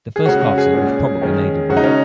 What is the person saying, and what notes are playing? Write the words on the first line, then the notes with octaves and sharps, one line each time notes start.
The first castle was probably made of wood.
G#4
C#3 G#3 C#4 F#4
F#4
G#4
A#2 G#3 C#4
D#3 G#3 C#4
C#3 G#3 C#4 F#4
D#4
C#4